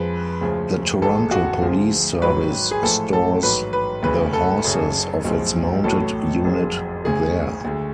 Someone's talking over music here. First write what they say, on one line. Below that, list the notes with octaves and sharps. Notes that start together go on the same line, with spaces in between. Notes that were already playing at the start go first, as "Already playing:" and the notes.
The Toronto Police Service stores the horses of its Mounted Unit there.
Already playing: F2 F3 G#3 B4
D2 C#3 F3 G#3
A1 G#2 G#3 A4
F#4
D2 D3 F3 G#3
G#1 G#2 F#3 B4
G#4
A1 A2 F3 G#3 A4
A4
A1 G#2 F#3 B4
B4
D2 C#3 G#3 B4
A4
F#1 F#2 C#3
B1 A2 F3 G#3
A1 A2 F#3 A4
F#1 F2 F3 G#3
D2 C#3 G#3 G#4
D2 D3 G#3